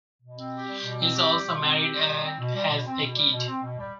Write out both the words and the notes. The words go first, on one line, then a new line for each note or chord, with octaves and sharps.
He is also married and has a kid.
B2
C4
G4
G3
B2
C4
G4
G3
B2
C4
G4
G3
B2
C4
B2
G3
B2
C4
B2
G3
B2
C4
B2
G3